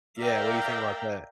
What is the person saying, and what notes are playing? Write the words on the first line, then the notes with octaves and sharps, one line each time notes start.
Yeah, what do you think about that?
A#4 D5 E5 F5 G5 A#5